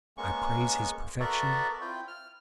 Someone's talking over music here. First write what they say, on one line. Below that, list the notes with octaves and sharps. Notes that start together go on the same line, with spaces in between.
I praise his perfection.
G#3 A#3 B3 C#4 C#6
B3 F#4 A4 A#4 D5 E5
C4 E4 F4 G5
F6